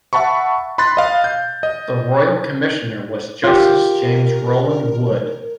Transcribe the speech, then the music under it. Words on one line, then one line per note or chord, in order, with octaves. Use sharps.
The Royal Commissioner was Justice James Roland Wood.
E5 F#5 A5 B5 C#6
B5 C6 F#6 A6
D#5 F5
G6
D#5
F4 G4 A#4